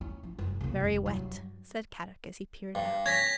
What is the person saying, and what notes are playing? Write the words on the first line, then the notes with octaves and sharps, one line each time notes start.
"Very wet," said Kadok as he peered out.
C#4
F3
F1 F#2
C#3 A#3
F1 F#3
G2 F#3
G2
C#4 G#6 A#6 B6